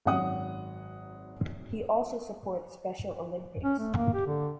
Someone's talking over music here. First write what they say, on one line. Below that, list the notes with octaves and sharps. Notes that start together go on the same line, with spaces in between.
He also supports Special Olympics.
G#1 F#2 F#3 F#5 D#6
C#4
A3
A#3
G4
D3